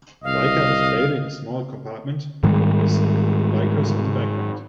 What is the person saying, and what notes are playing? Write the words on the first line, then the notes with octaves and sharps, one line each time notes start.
A biker with a baby in a small compartment with bikers in the background.
C2 D#5 F5
G#2 D#3 G3 G#3